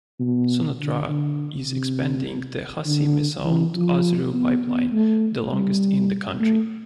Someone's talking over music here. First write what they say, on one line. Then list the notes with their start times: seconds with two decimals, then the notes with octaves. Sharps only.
Sonatrach is expanding the Hassi Messaoud-Azrew pipeline, the longest in the country.
0.20 B2
0.79 D3
1.09 D3
1.67 C3
2.86 D3
3.45 E3
3.75 F3
4.34 B3
4.63 B3
4.92 A3
5.52 G3
6.40 A3